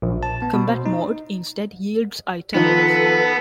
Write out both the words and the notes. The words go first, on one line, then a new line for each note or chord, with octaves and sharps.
Combat Mode instead yields items.
A#1
A5
B3
B2
C5
D#4
D#3 F3 B3 D#4 A4 B4